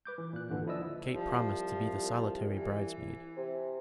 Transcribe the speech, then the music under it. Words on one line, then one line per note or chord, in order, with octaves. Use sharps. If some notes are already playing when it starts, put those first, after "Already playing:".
Kate promised to be the solitary bridesmaid.
B4 D6 G6
E3
A#2 F#6
G#1 D#2 D3 E3
F3 E4 D5 D#5 E6
C2 F3
E3
C3